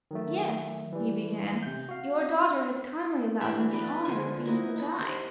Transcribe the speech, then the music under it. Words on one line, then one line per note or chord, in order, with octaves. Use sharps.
"Yes," he began; "your daughter has kindly allowed me the honor of being her guide."
D#3 F#3 A3
E3 G3
C3 G6
F#4 F5
E3 D4 G4 E5
B3 F#4 B4 D5
D3 F3 F4 G#5
D#4 E4 F#4
D#4 B5
G4 A#4 C5 F#5